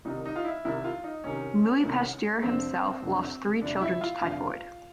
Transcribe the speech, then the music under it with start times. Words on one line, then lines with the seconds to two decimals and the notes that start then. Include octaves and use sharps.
Louis Pasteur himself lost three children to typhoid.
0.05 C2 C3 D#3 D#4
0.26 D#4
0.36 F4
0.45 E4
0.64 C2 C3 D#3 E4
0.84 F4
1.04 D#4
1.24 C2 C3 D#3 C#4
1.83 C2 C3 D#3
2.42 F1 F2 D3 C4
3.02 F1 F2 D3
3.61 F1 F2 D3 D4
3.81 E4
4.01 F4
4.21 F1 F2 D3 F4